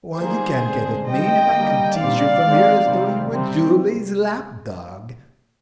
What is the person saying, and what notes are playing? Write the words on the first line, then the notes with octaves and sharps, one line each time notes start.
Why, you can't get at me, and I can tease you from here as though you were Julie's lapdog.
D#3 G3 A#3 G#4 C5
D3 G#3 C4
D#3 G3 C4 D#5 G5
D3 G3 A#3
A#2 G3 C4 D5 F5
D#3 G#3 C4
C3 D#3 G3 C4
C3 G3 C4